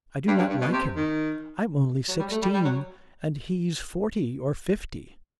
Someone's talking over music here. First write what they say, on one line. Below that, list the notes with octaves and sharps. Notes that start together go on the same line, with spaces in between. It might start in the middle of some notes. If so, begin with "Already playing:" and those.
I do not like him, I'm only sixteen, and he's forty or fifty.
G2
G2
G2
B2
C3
D#3
F#3
G3
A3
G3
G3
F#3